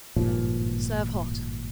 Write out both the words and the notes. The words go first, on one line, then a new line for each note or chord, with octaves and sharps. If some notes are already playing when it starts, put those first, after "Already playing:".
Serve hot.
G#1 G2 A#2 F3